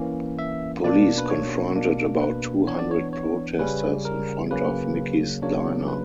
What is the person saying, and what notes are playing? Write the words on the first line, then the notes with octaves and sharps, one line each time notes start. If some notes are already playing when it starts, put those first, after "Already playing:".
Police confronted about two hundred protesters in front of Mickey's Diner.
Already playing: E3 A#3 C#4
E5
B2 A#3 D4 D5
B4
C#5
B2 A#3 D4
B4
E3 B3 D4 C#5
D5
C#5
C#5
C#3 G3 C#4 B4
A#4
C#3 F#3 A#3 C#4 B4
C#3 F#3 A#3 D4 C#5
B4